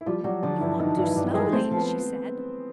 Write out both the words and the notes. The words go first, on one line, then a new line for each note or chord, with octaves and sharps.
"You walk too slowly," she said.
E4
F3 G3 F4
F#3 G3 F#4
D3 F3 F4
G2 E3 E4
D3 D#3 D#4
G2 E3 E4
G2
G3 G#3 G#4
A3 C4 C5
F3
B3 B4